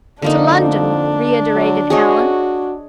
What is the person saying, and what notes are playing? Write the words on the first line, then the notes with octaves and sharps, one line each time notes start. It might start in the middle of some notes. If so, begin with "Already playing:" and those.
"To London!" reiterated Allan.
F2 D3 A#3 D4 D#4
F#3
F#4 G#4 C#5 D#5